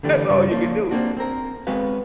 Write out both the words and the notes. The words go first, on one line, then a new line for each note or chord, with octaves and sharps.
all you can do.
D3 E3 A3 D4 G4
G2 C#3 G3
F3 A#3 D4
A#3 C4 D4 F#4
C4 A#4
G#3 B3 C4 F#4 B4 F5